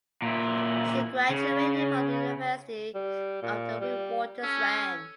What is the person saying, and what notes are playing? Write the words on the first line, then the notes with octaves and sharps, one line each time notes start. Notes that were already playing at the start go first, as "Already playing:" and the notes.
She graduated from the University of the Witwatersrand.
A#2 E4
C#3
G3
A#2
G3
C#4 A4